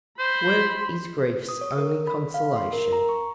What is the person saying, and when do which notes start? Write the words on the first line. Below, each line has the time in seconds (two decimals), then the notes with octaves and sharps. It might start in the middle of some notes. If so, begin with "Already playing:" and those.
Work is grief's only consolation.
0.19 C5 B5 C6
1.49 D#6
1.61 C#5
1.78 A#4
2.07 B5
2.34 F5
2.56 C6
2.73 A#4
2.93 A#5
3.09 C#6